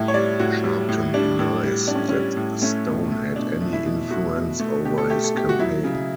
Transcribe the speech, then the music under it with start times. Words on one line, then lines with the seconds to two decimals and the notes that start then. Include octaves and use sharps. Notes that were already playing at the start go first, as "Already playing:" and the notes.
Sharpton denies that Stone had any influence over his campaign.
Already playing: A2 G3 E5
0.08 C#5
0.14 G3 D5
0.39 A2 F#4
0.64 G3
0.89 A2
1.14 G3 D4
1.39 A2
1.64 G3
1.88 A2 D4
1.95 C#4
2.09 G3 C#4
2.37 A2
2.62 A3 C#4
2.87 B2
3.11 A3
3.36 B2 D4
3.61 A3
3.73 E4
3.86 B2
4.10 A3 F#4
4.36 B2
4.60 A3
4.85 B2 G4
4.98 A4
5.10 A3 G4
5.24 A4
5.34 B2 G4
5.49 F#4
5.59 F#3 E4
5.84 C#3